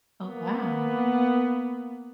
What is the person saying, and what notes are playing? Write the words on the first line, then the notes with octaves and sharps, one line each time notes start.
Oh, wow.
A#3 B3